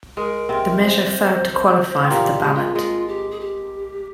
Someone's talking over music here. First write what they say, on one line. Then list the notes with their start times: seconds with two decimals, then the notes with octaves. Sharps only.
The measure failed to qualify for the ballot.
0.17 G#3 A#4
0.49 C3 C4
0.81 C5
2.04 C4
2.10 A#2 A#3 G4
2.33 G4
2.44 G#3
2.54 F4
2.75 G#3 F4
3.08 G4
3.31 G#4
3.40 G4